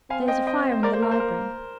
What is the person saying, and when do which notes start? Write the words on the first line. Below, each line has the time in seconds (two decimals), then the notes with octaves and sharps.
There is a fire in the library.
0.10 C4 F5 G#5
0.28 D#5 G5
0.47 D#5 G5
0.72 C5
0.83 A#3 A#4 D5
0.93 C5
1.02 A#4
1.11 C5
1.20 A#4